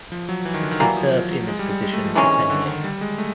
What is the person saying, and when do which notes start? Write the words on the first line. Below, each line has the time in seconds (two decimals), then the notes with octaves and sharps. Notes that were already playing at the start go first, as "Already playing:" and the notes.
He served in this position for ten years.
0.12 F3
0.29 F#3
0.45 E3
0.54 D#3
0.63 D3
0.71 D#3
0.80 E3 F#3 G3 A#3
0.97 F3
1.14 F3
1.31 F#3
1.48 G#3
1.59 G3
1.70 G3
1.82 G#3
1.93 A3
2.04 F3
2.15 C3 D#3 E3 G#3 C#4
2.50 D3
2.67 D#3
2.84 G3
3.01 G#3
3.18 A3